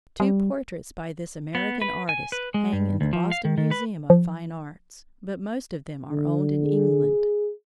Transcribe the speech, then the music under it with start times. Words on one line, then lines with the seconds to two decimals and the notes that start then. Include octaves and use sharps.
Two portraits by this American artist hang in the Boston Museum of Fine Arts, but most of them are owned in England.
0.20 G3
1.55 B3
1.82 B4
2.09 G#5
2.32 B4
2.54 G#3
2.73 G2
3.01 D2
3.13 F3
3.31 F5
3.45 D#3
3.58 D#3
3.71 B4
4.10 F3
6.11 D3
6.63 G#4